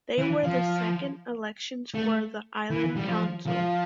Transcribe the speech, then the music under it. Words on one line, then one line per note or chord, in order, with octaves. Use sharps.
They were the second elections for the Island Council.
E3
F3
A3
E3
G3
F3
F3